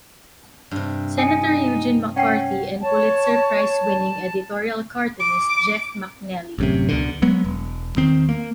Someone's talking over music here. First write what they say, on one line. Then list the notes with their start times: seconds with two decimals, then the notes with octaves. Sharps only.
Senator Eugene McCarthy and Pulitzer Prize-winning editorial cartoonist Jeff MacNelly.
0.71 G2 C3
1.18 D#4 G#5 C#7
2.16 C#4 F#5 G5 C7
2.83 C#5 A5
5.20 D6
6.58 A1 F#2 C3
6.89 C#2 B2 D3
7.22 F#3 G#3 B3
7.44 E1
7.96 E2 D#3 C4
8.29 A#3